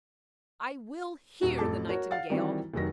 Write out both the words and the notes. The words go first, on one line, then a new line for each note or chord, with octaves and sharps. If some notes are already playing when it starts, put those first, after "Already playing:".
I will hear the Nightingale!
D#1 F#4
A1 F2 A4 A5 D6
F#4 A#4 C#5
F5 F#5 A6
D#3 E3 G3 C4 F#4 G4
F1 D#3 F#3 A#6